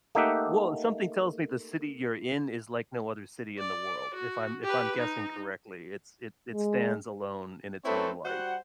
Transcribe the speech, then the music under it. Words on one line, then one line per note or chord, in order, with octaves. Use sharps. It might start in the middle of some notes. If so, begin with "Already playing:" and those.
Well, something tells me the city you're in, is like no other city in the world, if I'm if I'm guessing correctly, it's it it stands alone in its own light.
A3 A#3 D#4 G4 E5 F#5
D5
F#4
G4 B4
D#4
G#3
A3 C4 E4 A4 B4 C#5
G3 F#4 C5 F#5